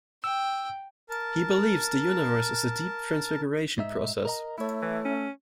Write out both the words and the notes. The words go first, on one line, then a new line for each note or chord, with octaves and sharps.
He believes the universe is a deep transfiguration process.
G5 E6
A#4 A5
G#2 D#4 E5
A#4 D#5 A#5
A3 E4 C#5
E3
C#4